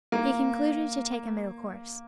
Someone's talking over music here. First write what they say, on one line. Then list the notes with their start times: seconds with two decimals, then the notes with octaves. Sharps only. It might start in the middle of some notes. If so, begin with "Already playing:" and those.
He concluded to take a middle course.
0.12 A#3